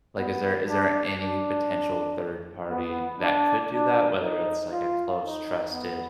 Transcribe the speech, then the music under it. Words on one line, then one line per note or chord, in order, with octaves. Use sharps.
like, is there is there any potential third party that could do that, whether it's, like, a close trusted
B3
D4
D4
B3
D4
D4
D#4
F4
D#4
B3